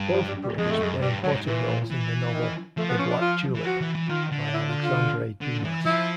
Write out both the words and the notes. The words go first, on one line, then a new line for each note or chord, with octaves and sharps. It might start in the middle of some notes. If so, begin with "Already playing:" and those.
Both brothers play important roles in the novel "The Black Tulip" by Alexandre Dumas.
Already playing: G2
F3
G3
G3
F2 G#3
A3
F#2 G#3
G2 G3
G#2 F#3
A#2 E3
E3
D#3
F3 A3
B3
C#4
D4
F4
E3
F3 F#4
E3
E3
D#3 F4
D3
E4
F4
F4
D3
E3
F3 E4